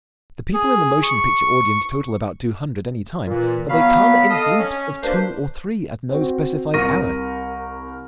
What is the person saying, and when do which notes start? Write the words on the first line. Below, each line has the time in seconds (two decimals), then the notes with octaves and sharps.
The people in the motion picture audience total about two hundred, any time, but they come in groups of two or three at no specified hour.
0.54 G#4
1.03 C#6
3.27 A#2 E3
3.70 F#3 B3 F5 B5
4.30 A4 D#5 F5 D#6
4.59 C#4
5.03 A#3 D4 G4 B4 C5
6.10 C4 F#4
6.74 C2 A#4 C#6 A#6 D#7